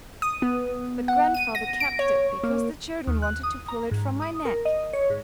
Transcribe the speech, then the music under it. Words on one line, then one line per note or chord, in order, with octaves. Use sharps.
But grandfather kept it, because the children wanted to pull it from my neck.
D#6
B3
F#5
D#7
A#6
D7
C#5
A#3
D#2
F#6
D#6
A#5
G#2
D#6
A#4
D#5
C#5
G#2